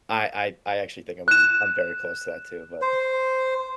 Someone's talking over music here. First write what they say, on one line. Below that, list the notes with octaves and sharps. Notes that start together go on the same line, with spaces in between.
I I I actually think I'm on I'm very close to that too, but
F#6 E7
C5